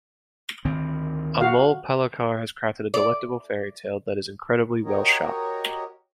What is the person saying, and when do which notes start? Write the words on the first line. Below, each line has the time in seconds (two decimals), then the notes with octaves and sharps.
Amol Palekar has crafted a delectable fairytale that is incredibly well-shot.
0.65 D2 D#3 C4
1.41 F#4 F5
2.94 D5
4.85 F#4 G4 A#4 C#5 D#5